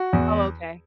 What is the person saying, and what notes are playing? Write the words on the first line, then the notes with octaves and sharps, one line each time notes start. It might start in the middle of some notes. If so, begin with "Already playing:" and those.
Oh, okay.
Already playing: F#4
E2